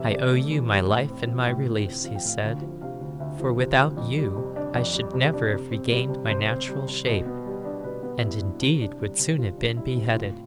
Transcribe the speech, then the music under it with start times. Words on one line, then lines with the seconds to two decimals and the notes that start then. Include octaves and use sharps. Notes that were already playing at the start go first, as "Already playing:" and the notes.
'I owe you my life and my release,' he said, 'for without you I should never have regained my natural shape, and, indeed, would soon have been beheaded.
Already playing: C3 E3 E5
0.11 C3 D5
0.31 A3
0.50 E3
0.69 C3
0.88 A2
1.08 C4
1.27 F3
1.47 A2
1.65 A2
1.86 C4
2.04 F3 F5
2.15 G5
2.24 A2 F5
2.42 D2 F5
2.62 F3
2.81 C3 F5
3.01 D2
3.20 D2 E5
3.40 F3
3.60 C3
3.78 D2
3.97 F2
4.17 G3
4.36 C3
4.56 D4
4.74 F2 D5
4.94 G3
5.13 C3
5.33 D4
5.53 C3
5.71 C4
5.91 G3
6.10 C3
6.29 C3 C5
6.49 C4
6.68 G3
6.88 C3
7.06 B2
7.26 B3
7.46 G3
7.65 D4
7.84 B2 B4
8.03 B3
8.22 G3 E4
8.42 D4
8.61 C3
8.81 D4
9.00 G3
9.19 C3
9.38 C3 F4
9.58 D4
9.77 G3 E4
9.96 C3
10.16 A2 F4